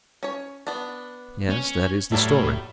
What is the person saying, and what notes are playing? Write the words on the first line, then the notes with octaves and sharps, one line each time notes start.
"Yes, that is the story."
C#4 C#5
B3 D4
C#4
A2 F#3 G3 A3